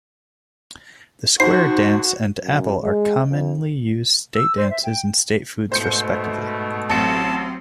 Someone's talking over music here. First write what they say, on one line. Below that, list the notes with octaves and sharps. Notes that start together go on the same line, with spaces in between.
The square dance and apple are commonly used state dances and state foods, respectively.
F2 D#4 F#4 C5 C7
F#2
G#3
F2
E6
C5
E5
G5
G#2 B2 A3 C5 G6 C#7
A1 F#3 C4 A5 C#7